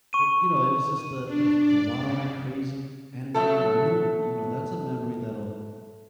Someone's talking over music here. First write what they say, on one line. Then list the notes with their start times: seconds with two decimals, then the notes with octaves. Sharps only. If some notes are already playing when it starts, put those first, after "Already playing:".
But, you know, it was just the the s the wild and crazy energy in the room and and, you know, that's a memory that'll
0.13 C#6 D#7
1.25 D4
1.59 D5
2.01 C#3
3.34 F#3 A3 A4